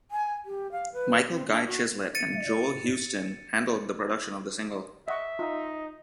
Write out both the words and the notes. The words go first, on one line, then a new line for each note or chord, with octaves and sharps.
Michael Guy Chislett and Joel Houston handled the production of the single.
G#5
G4
F5
B4
C4
D4
F#4
A6 C#7 D#7
D#5 E5 F#5 C#6
D#4 F4 A#5